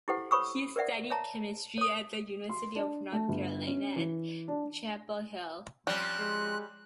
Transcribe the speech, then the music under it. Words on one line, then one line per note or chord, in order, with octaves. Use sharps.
He studied chemistry at the University of North Carolina at Chapel Hill.
E4 G4 A4 C5 F#5
C5 C#5 B5 C#6 D#6 E6
A#4 C5 D5 E5 F#5
C#5 E5 A5 A#5
C#5 D#6
C6
D4
A3
G1
C#4
E3
D4
F3 G3 C4 C#4 F#6
G#3